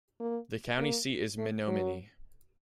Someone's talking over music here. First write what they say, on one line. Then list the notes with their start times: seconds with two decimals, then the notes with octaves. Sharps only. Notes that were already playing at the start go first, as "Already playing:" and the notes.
The county seat is Menominee.
0.20 A#3
0.78 A#3
1.38 A3
1.67 F#3